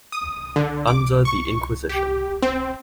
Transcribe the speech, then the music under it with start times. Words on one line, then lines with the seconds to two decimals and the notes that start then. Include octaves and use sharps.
Under the Inquisition.
0.12 D#6
0.56 D3
0.87 D6
1.25 C#6
1.89 G4
2.42 C4